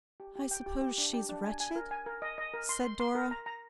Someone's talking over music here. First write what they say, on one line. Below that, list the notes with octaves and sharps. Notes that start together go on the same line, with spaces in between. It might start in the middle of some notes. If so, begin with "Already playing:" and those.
'I suppose she's wretched?' said Dora.
G4
G4
G5
G4
G4
D4
G4
D4
G#5
G#5
A#4
G#5
A#4
D#5
D#5
A#4
C6
C6
C6
A#4
A#5
A#5